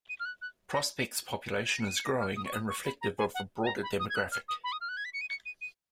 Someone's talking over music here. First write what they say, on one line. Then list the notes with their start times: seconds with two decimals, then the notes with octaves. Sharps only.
Prospect's population is growing and reflective of a broader demographic.
0.09 D#7
0.20 F6
0.25 F#6
0.41 F#6
0.74 A#6
1.66 G#6
1.71 A#6
1.80 C#7
1.88 D#7
1.96 C#7
2.04 A#6
2.20 F6
2.36 D#6
2.45 C#6
2.53 D#6
2.69 C#6
2.86 B5
3.01 A#5
3.18 G#5
3.34 F#5
3.62 G#5
3.66 A#5
3.83 B5
3.99 D#6
4.09 G#6
4.15 F#6
4.32 F6
4.48 D#6
4.64 B5
4.72 D#6
4.81 F6
4.89 F#6
4.97 G#6
5.05 B6
5.13 C#7
5.21 D#7
5.30 C#7
5.45 D#7
5.61 D#7